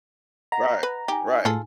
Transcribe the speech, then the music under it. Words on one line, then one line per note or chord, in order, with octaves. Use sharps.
right. Right.
D#5 F#5 A#5
B4
D#4 G4 G#5
A2 F4 G#4 A4